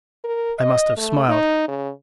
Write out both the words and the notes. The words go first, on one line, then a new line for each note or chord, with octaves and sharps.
I must have smiled.
A#4
D#5
A3
D#4
C#3